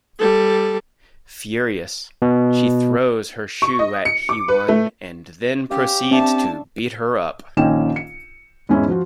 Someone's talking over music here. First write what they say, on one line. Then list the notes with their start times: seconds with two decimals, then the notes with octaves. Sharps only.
Furious, she throws her shoe at Hee-won and then proceeds to beat her up.
0.19 G3 A4
2.22 B2
3.62 C#6
3.79 D#5
4.05 C#7
4.29 D6
4.48 B4
4.68 A3
5.71 C#4 G4 F5
6.11 C4 D4 G4 E5 A5 C#6
7.57 A#1 D#3 C#4 D#4 G5 E7
7.96 C#7
8.69 E2 G#2 C#4 D#4 E4
8.88 F3 F4 F#4